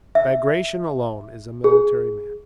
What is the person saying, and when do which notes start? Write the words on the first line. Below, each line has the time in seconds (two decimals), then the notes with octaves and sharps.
Bagration alone is a military man.
0.15 E5
1.64 G#4